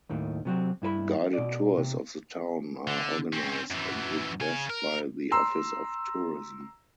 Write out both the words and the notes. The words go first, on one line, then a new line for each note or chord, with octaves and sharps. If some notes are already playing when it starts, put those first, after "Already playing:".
Guided tours of the town are organised on request by the Office of Tourism.
D#2 A2 D#3
C3 F#3 C4
G2 E4 B4 B5
B2 D5
C3
D3
C4 C#4
F#2 E3
C#3 G#5
A#4
A#5 C6 E6